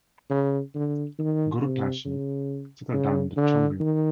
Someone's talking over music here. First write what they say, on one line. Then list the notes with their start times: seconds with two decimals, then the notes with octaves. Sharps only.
Guru Tashi settled down in the Chumbi Valley.
0.30 C#3
0.75 D3
1.19 D#3
1.62 C3
2.05 C#3
2.93 C#3
3.37 D3
3.80 D#3